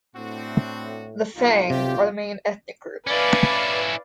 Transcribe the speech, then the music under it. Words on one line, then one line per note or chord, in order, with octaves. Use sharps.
The Fang are the main ethnic group.
A2 C4 D4 F#4
B1 D#3 G3 B3 F4
C3 G4
C#4 E4 B4 D5 F5